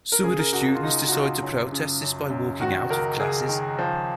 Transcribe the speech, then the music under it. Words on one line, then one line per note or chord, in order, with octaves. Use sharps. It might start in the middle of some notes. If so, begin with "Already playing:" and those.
Some of the students decide to protest this by walking-out of classes.
A#4
C#3 G#4
A#4
C#2 F#4
F#4
F4
C#2 D#4
F#4
C#2 F4
F#2
C#3
F#2
F#2
D#3 F#4
C#2 A#4
C#2 G#4
D#3
F3